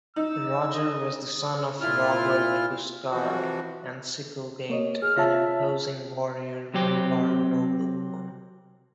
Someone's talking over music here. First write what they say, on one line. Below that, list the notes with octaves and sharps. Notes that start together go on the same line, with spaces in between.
Roger was the son of Robert Guiscard and Sikelgaita, an imposing warrior Lombard noblewoman.
D#4 E6
D#5
A#2 E4 F4 F6
C3 E3 F3 F#4
A#3 C#5 D#5
G#4 F6
F4 C#5 E5 A5
C3 F#3 C4 G4